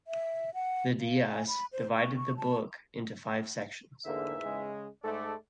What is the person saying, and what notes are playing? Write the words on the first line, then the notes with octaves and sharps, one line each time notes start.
The Dais divided the book into five sections.
E5
F#5
F5
G#5
B5
C5
C#6
C#6
A5
E2 G#2 D3 A#3 E5
C#3 G#3
G#2 G#3 A3 A4 D5